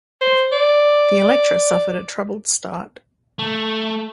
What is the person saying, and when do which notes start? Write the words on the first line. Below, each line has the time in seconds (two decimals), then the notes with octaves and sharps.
The Electra suffered a troubled start.
0.21 C5
0.52 D5
3.39 A3